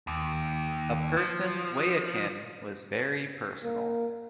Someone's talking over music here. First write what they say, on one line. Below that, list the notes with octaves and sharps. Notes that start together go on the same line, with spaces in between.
A person's weyekin was very personal.
D#2
F3
A#3